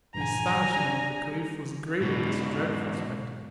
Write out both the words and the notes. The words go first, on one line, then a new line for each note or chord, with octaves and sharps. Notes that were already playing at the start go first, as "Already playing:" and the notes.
The astonishment of the caliph was great at this dreadful spectacle.
A#1 G2 E3 G#5 A#5
G3 D4
G#2 B2